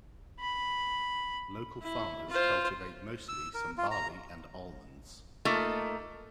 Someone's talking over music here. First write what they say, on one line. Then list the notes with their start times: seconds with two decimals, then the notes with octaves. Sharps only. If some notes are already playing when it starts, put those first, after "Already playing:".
Local farmers cultivate mostly some barley and almonds.
0.40 B5
1.82 E4
2.29 F4 C5
3.29 E6
3.54 A#4
3.78 F4
3.91 A#5
5.45 A3 A#3 D#4 F4